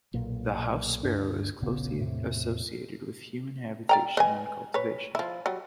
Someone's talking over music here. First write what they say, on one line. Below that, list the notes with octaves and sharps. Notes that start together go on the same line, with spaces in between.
The house sparrow is closely associated with human habitation and cultivation.
B1 A#2 A#3
D2 G2 D4
D#1 A#1 C#3 B3
E2 A2 C3
D5 G5 A#5
B4 D#5 G#5
B4 C#5
F3 E4
F#3 G3